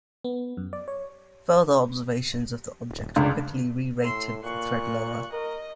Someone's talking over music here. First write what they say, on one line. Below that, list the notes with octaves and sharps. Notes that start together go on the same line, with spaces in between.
Further observations of the object quickly re-rated the threat lower.
B3
F#2
D5
C#5
D#1
C#2 D4
A2 C6 E6
A#2 C#6 F#6
A#4 D#5